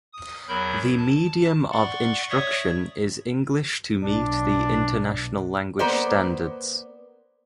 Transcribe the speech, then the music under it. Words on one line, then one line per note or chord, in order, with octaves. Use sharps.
The medium of instruction is English to meet the international language standards.
D#6
E2 F#3 A#4 B5 G6
A5
D5 F#5 C6 C#6
C#5 D5 E5 C#6 D#6
B1 D4
A#3 B3 C5 D5